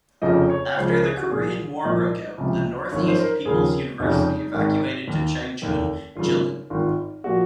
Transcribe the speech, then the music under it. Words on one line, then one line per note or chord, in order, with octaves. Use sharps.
After the Korean War broke out, the Northeast People's University evacuated to Changchun, Jilin.
F1 F2 C#3 F3 D#5
C#5
C#2 C#3 F3 C5
A#4
G#4
F#4
C2 A#2 F3 G#4
C2 A#2 F3 D#5
C#2 C3 F3
G#1 F#2 F3 C#5
C5
A#4
D#2 C#3 F3 G#4
F1 F2 C#3 D#4
G#1 G#2 D#3
D#2 D#3
F1 D#2 D#3
G#1 F#2 C#3 F4
G#1 G#2 D#3 F4
A#2 F3 F#4